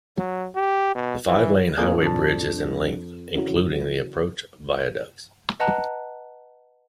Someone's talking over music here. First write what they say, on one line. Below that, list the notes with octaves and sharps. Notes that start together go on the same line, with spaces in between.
The five-lane highway bridge is in length, including the approach viaducts.
F#3
G4
B2
E3
F2 A2 A#3 D4 G#4
F2 A5
C#3 E3 F#3
B4 D#5 F#5 A5 A#5 F#6